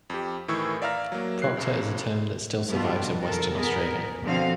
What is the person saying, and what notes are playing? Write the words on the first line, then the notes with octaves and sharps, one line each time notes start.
Proctor is a term that still survives in Western Australia.
F2 G4
A2 D#3 E3 E4 C#6 E6
D5 E5 F5 A#5 F6 A#6
F#3 A#3
E4 F#6 C7
B1 F#2
B2 G3 D4 F4
D#3 A4 A#4
B3 G#4 A#4
B2 D3 F3 C4 F#4 F5